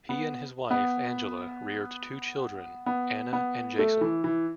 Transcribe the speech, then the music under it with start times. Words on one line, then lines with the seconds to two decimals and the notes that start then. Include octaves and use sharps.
He and his wife, Angele, reared two children, Anna and Jason.
0.09 B3
0.71 B3
2.86 B3
3.33 B3
3.79 A3
4.01 E3
4.24 E3